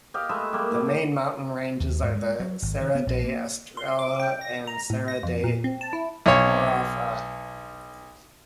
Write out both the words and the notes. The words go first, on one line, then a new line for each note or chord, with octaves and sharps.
The main mountain ranges are the Serra da Estrela and Serra da Marofa.
G4 D#5 F5
G#3 A3 B4 E5
G3 A#3
A2
G4
D#2
G#2
G#3
F#3
G#1
D#3
B3
A#1
A#3
C6
D6
G5
A#6
A#5
A2
A#6
F2
A#2
C4
A5
E4
B1 C#5